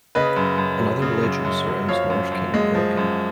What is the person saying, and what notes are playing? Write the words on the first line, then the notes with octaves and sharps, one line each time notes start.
Another legend surrounds Norse king Breacan.
C#3 B4 D#5
F#2
F#2
F#3
C#3
F#2
F#2
F#3
F3 C#5 F5
F#2
F#2
G#3
F3
F#2